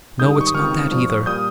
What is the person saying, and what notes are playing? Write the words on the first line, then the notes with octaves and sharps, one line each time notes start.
No, it's not that either.
G#2 D#3 G3 D#6 G6
C#6
D#6
C#2 C3 D#3 C#6 F6
G2 F3
A#2 G3 D#6 G6